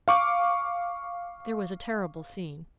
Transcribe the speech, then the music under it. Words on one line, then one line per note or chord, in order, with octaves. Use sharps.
There was a terrible scene.
F5 C#6 D6